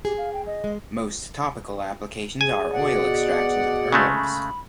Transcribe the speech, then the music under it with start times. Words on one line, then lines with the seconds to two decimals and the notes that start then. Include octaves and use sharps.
Most topical applications are oil extractions of herbs.
0.05 G4 G#4
0.18 F5
0.33 G5
0.47 D#5
0.64 G#3
2.41 G#4 G#5
2.74 B2 D5 F#5
3.92 C#3 G#3 A3
4.15 B5